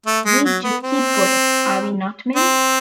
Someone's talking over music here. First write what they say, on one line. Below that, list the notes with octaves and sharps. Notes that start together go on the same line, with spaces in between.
We'd just keep going, Are we not men?
A3
G#3
F#3
B3
C4
C4